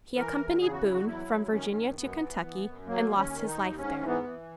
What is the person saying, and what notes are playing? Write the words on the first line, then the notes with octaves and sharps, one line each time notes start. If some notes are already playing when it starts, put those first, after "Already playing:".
He accompanied Boone from Virginia to Kentucky and lost his life there.
E3 A#4
E2
C#3 G#4
F#4
E2 E4
F#4
F#3 E4
F#2
D#3 C#4
F#2
F#2 B3
E3
E3
F#2
F#3 A#3
D#2
C#4
D#3
D#4
D#2
G#2 C#4
E3
B3
E3